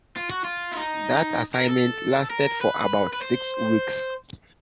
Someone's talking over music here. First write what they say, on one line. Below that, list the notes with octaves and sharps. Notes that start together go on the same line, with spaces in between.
That assignment lasted for about six weeks.
F4
F#4
F4
E4
D#4
A#4
A4
A#4
B4
B4
C5